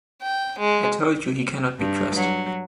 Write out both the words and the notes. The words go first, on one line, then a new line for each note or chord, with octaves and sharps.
I told you he cannot be trusted.
G5
G#3
G2
F#3